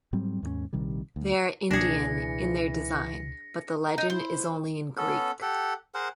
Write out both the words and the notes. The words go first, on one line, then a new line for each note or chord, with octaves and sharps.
They are Indian in their design, but the legend is only in Greek.
G#2 F#3 G3 C4
D#2 G#2 A#3 C#4
A#1 C3 D#3 G3
D2
C#2 B2 E3 A#3 D4 G#4 A#6 C#7
A#5
D#4
E4 C5
B3 C#4 A4
G4 A4 F#5
G#4 A#4 C5 F#5